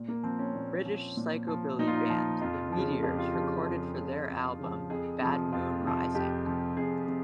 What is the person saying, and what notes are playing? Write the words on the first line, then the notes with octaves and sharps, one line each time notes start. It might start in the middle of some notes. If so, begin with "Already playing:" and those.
British Psychobilly band The Meteors recorded for their album "Bad Moon Rising".
Already playing: A#2
A#3
F3 C4
C#4
A#2
F3
A#2
F3
A#2 D#4
F4
D#4
F3
F2 F4
C#3 F3
F2 G4
F4
C#3 F3 G4
G#4
F2
C#3 F3
F2
C#3 F3
F2 G#4
C3 F3
F2 F4
C3 F3
F2 G4
C3 F3
F2 G#4
C3